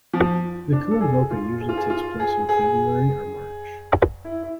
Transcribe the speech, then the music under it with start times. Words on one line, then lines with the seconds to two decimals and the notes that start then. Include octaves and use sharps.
The Kuomboka usually takes place in February or March.
0.13 F3
0.72 D4
0.91 A4
1.01 G#4
1.31 F4
1.61 G#4
1.69 F4
1.77 G#4
1.90 F4
2.20 G#4
2.49 G#4
4.25 E4
4.43 E4